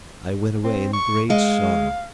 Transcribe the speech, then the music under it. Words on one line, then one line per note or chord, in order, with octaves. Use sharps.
I went away in great sorrow.
C4
C#6
G#3 F5